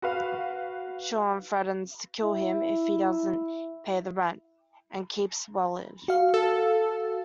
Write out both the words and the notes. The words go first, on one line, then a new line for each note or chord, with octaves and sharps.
Sean threatens to kill him if he doesn't pay the rent, and keeps Wellard.
F#4 B4 F5
E4
F#4 F5
A4